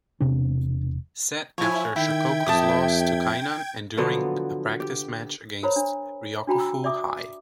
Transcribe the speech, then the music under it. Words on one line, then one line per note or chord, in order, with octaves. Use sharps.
Set after Shohoku's loss to Kainan, and during a practice match against Ryokufu High.
E1 C3 B3 D4
F3 E4 C#5 G#5
D#3 E4 E5 G5 G#6
F2 A5 D6 D#6
D3 F3 F#3 B3
G4
A#4 C5 C#5 A#5 B5
D4
D4 F#4 G5 A#5 B5
E6
D5 E5 D6 D#6